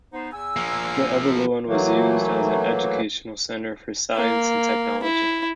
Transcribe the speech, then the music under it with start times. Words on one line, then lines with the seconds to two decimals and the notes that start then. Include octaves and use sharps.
The Evoluon was used as an educational centre for science and technology.
0.13 B3 D#4 C5
0.33 E2 G#5 E6
0.57 F3 A#3
1.67 E3 F#3 A3 A#3
4.16 A#3
5.03 E4